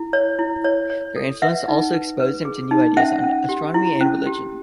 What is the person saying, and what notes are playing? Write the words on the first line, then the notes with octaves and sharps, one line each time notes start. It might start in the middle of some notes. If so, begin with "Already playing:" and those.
Their influence also exposed him to new ideas on astronomy and religion.
Already playing: E4
C#5
E4
C#5
C#5
A4
B4 E5 F#5
D#4
B4
B4
G#4
D#4
C#4 E5 F#5
C#4
G4
E4
C#4
G4